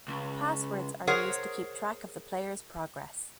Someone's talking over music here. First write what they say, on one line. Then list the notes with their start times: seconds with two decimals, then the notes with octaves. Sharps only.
Passwords are used to keep track of the players progress.
0.08 C#2
1.07 G#4 A#4 C5 C#5 F#5